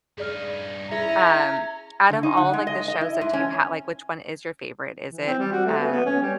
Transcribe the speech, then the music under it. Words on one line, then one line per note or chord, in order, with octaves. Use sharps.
Um, out of all, like, the shows, uh, do you ha like, which one is your favorite? Is it, um,
G2 D#4 G#4 D5 F6
C#4 E4 G#4 A#5 A#6 C#7
D3
D#4
F#5
G#3
D#5
D#5
E4
G#2
C#4
E3
C4
G3
F#4
A3
B3
B3
C#4
G3